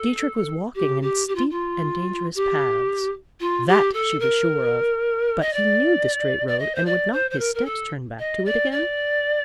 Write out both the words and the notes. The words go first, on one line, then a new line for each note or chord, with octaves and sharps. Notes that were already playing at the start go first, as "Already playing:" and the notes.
Dietrich was walking in steep and dangerous paths; that she was sure of, but he knew the straight road and would not his steps turn back to it again?
Already playing: A4
G4
G4
G4
F4
F4
G4
F4
G4
A4
A#4
D#5
D5
D5
D#5
C5
D5
C5
C5
A#4
A#4
A4
D#5
D5
D5